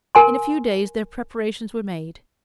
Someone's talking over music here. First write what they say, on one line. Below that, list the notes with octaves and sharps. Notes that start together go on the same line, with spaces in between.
In a few days their preparations were made.
A#4 G#5 C6